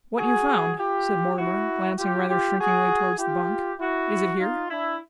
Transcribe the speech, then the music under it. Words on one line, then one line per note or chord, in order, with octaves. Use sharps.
What you found,' said Mortimer, glancing rather shrinkingly towards the bunk; 'is it here?'
F#4 G#4
F4 G4
E4 F#4
F4 G4
F4 G4
F#4 G#4
F4 G4
E4 F#4
D#4 F4
D4 E4